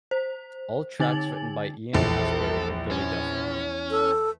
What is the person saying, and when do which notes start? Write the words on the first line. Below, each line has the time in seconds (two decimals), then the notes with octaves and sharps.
All tracks written by Ian Astbury and Billy Duffy.
0.11 C5
1.00 D3 D#4 G#5 A6 F#7
1.94 A#1 E2 A4
2.91 C#4
3.91 A4